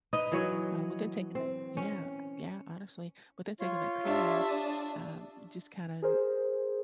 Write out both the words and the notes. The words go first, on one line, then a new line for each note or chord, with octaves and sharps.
uh, within taking that yeah, yeah, honestly. Within taking that class, uh, just kinda
D#4 B4 D#5
E3 F#3 C#5 D#5
C4
C#4
F4 C#5 C6
D4 G4 E5
D#6
G#4 A#4 C5